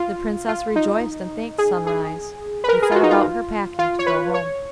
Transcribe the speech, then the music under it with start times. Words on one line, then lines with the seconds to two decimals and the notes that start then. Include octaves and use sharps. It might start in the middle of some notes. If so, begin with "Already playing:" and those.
The Princess rejoiced, and thanked Sunrise, and set about her packing to go home.
Already playing: F4
0.48 F4
0.76 D#4
1.58 G#4
1.87 G#4
2.64 B4
2.69 A#4
2.82 G#4
2.91 F4
2.96 F#4
3.03 D#4
3.10 F4
3.79 F4
3.99 C#5
4.07 B4
4.34 C#5